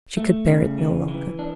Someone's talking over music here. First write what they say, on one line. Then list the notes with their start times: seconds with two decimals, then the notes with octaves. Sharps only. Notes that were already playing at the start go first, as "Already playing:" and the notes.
She could bear it no longer.
0.17 A3
0.47 C#3
0.78 E3
1.08 E3
1.39 D4